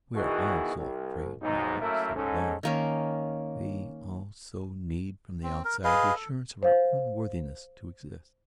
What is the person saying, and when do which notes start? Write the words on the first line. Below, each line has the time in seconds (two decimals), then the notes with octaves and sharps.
We are all so afraid, we are all so alone, we all so need from the outside the assurance of our own worthiness to exist.
0.16 B2 D#3 E3 B3 F#4 G#4
0.76 C2
1.42 B1 G#2 D#4
1.80 F#2 A3 A#3 E4 A#4
2.15 G#2 C#4 A4
2.63 D#3 A#3 C#4
5.43 C4
5.65 A#4
5.84 G#4 B4 D#5 F5
6.15 A4
6.63 C5 F5